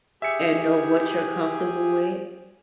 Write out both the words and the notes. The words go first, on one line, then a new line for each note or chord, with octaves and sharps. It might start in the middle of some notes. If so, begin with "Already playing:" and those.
and know what you're comfortable with,
G4 G#4 E5 G#5 C#7